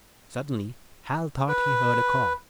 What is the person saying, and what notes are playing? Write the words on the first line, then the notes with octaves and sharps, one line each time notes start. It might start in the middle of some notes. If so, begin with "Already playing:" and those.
Suddenly Hal thought he heard a call!
B4